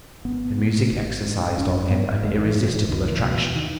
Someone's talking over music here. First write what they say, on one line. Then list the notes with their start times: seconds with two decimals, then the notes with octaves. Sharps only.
The music exercised on him an irresistible attraction.
0.25 G#1 B3
0.58 G#2
0.92 G#1
1.24 G#2
1.57 G#1 C#4
1.90 G#2 B3
2.22 G#1 G#3
2.45 E3
2.56 G#2
2.67 E3
2.89 C#2 D#3
3.11 E3
3.22 B2
3.33 E3
3.55 D#3